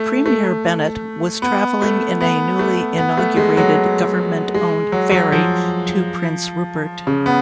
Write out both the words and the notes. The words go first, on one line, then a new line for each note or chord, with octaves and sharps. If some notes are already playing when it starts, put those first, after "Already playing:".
Premier Bennett was travelling in a newly inaugurated government-owned ferry to Prince Rupert.
Already playing: A3
A3
B3
A3
B3
A3
B3
A3
G#3
F#3
G#3
F#3
F#3
F3
C#3
B3